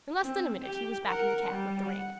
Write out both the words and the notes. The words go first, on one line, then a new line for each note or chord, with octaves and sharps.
In less than a minute he was back in the cab with the ring.
C4
G4
A#4 F#5
G3
F#5